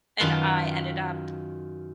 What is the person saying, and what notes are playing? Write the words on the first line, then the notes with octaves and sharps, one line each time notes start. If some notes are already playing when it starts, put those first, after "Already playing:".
and I ended up
F#2 D#3 F4 B4 A5